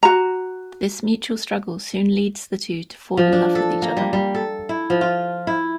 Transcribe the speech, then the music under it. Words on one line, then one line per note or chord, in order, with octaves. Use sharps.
This mutual struggle soon leads the two to fall in love with each other.
F#4 A#5
F3
D4
A4
A#3
G3
G3
A4
E4
F3
F4
E4